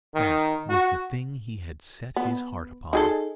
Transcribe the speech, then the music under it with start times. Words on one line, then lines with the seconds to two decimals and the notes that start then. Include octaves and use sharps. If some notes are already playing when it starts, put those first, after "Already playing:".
That was the thing he had set his heart upon.
0.15 D#3
0.69 F#4
2.16 B3
2.93 D#4 G#4 A4